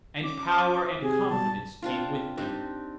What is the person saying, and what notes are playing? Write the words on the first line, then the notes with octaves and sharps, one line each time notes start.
And power and confidence came with them.
C#4 D6
C3 G#4
B2 G3 A5
C4 D4 F4
C4 D4 D#4 G4